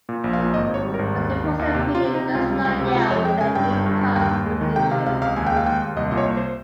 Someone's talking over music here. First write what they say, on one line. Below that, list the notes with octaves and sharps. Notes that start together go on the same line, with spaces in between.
The deposit premium does not yield any income to the insured.
A#2
A#1
F5
A#2
G#1 D#5
G#1 C#5
G3
A#4
G#1
D#2
D#2
D#3
D#2
C3 G4
C3 F4
C3
D#4
C3
C#2 F4
G3
C#2
C3
G4
G#3 F4
F2 C#5
G#3 G5
C#3 G#5
G2 G5
G1
G2
G2
D#2 G5
D#2
G#3
D#3
C3 G5
C3 F5
C#2 F5
C#2 F5
D#2 G#5
G5
G#3 F5
D#2 G5
D#2
C2 D#5
A#2 D#5
C#5
C2
C5